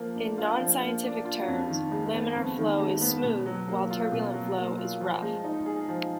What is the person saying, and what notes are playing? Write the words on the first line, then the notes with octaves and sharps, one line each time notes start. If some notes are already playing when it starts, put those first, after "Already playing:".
In non-scientific terms, laminar flow is "smooth" while turbulent flow is "rough".
Already playing: F3 A#3
D4
F4
F3
A#3
D4
F4
F2
D#3
G#3
B3
F2
D#3
G#3
B3
B2
F#3
A#3
F4
B2
F#3
A#3
F4
F3
G#3
D#4
G#4
F3